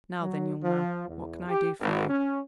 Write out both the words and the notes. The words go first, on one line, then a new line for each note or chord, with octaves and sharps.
"Now then, young man, what can I do for you?"
F#3
F3
E2
G4
G#1
C#4